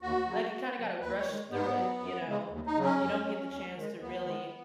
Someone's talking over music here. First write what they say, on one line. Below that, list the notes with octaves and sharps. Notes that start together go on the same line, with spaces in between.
Like, you kinda gotta rush through it, you know? You don't get the chance to really
D#2 F#4
C#3 F#3
D#2
C#3 F#3
D#2 B4
C#5
D#3 G#3
G#2 B3
F#3
F#2
C#3 G#3
D#2
D#4
C#3 F#3
C#4
F#2
F#3
D#2
D#3 G#3
D#2 B3
D#3 G#3